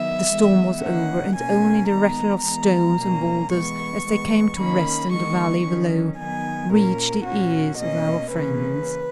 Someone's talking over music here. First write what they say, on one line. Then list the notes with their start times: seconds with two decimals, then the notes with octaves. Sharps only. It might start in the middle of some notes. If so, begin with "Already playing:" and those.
The storm was over, and only the rattle of stones and boulders, as they came to rest in the valley below, reached the ears of our friends.
Already playing: D#3 F#3 B3 E5
0.29 E3 G#3 B3
0.82 D#3 A#3 C#4 F#5
1.37 B2 A#3 C#4 G#5
1.90 D#3 G#3 B3 A#5
2.43 E3 G#3 B3 A#5
2.97 B2 F#3 A#3 C#4
3.51 E3 G#3 B3 C#6
4.04 E3 G#3 B3
4.58 D#3 A#3 C#4 B5
5.11 D#3 G#3 B3 C#6
5.66 D#3 F#3 C#4
6.18 D#3 F#3 B3 G#5
6.73 A#2 A#3 C#4 A#4
7.25 A#2 A#3 C#4 F#4
7.79 B2 A#3 C#4 D#5
8.33 C#3 E3 A#3 C#4 B4